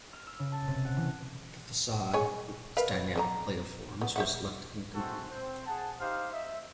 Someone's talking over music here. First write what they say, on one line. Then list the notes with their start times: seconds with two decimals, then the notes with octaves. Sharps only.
The facade, with its dynamic play of forms, was left incomplete.
0.13 F6
0.27 E6
0.39 C#3
0.52 A5
0.68 C3
0.85 F#5
0.97 E3
2.13 G#3 C#5 G#5
2.77 A#4 B4 F5
3.16 D3 D4 A#5
4.01 B3
4.16 C5 E5 F#5
4.95 G#3 A3 C4 F#4 A4
5.29 C4 C5
5.66 G#4 F#5 A5
6.00 D#4 G4 C5 F5
6.32 D#5 E5